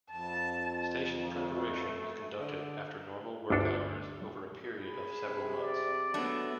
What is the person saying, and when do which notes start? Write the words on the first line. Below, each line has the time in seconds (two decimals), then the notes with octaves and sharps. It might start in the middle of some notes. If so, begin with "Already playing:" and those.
Station preparation was conducted after normal work hours over a period of several months.
0.11 F2 A5
1.25 A3
2.39 D3
3.50 G1 D2 D4 A4
4.83 G#4 B5
5.26 C3
5.59 D5
6.14 F#3 A3 B3 D4 E5